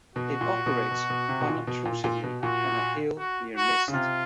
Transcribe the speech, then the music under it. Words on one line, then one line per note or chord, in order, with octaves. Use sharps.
It operates unobtrusively on a hill near Mist.
B2 F#4
A#2
B2
B2
B2
C3
B2
A#2
B2
A#2
A#2
B2
A#2 F#4
F#4
F#4
C#3
C3 F4